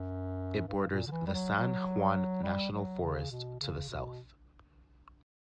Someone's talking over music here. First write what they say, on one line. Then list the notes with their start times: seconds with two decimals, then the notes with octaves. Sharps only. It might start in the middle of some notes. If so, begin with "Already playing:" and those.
It borders the San Juan National Forest to the south.
Already playing: F#2
0.67 G2
0.90 A#2
1.07 D3
1.11 E3
1.27 G3
1.33 F#3
1.56 F#3
2.43 G3
2.71 F#3
3.02 C#3
3.30 B2
3.60 C#3
3.89 B2